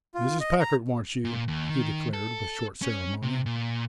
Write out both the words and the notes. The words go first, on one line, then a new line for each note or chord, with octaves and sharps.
"Mrs. Packard wants you," he declared with short ceremony.
F4
D#5
A#5
A#2
D#2
D#3
A4
C#4
C3
A#2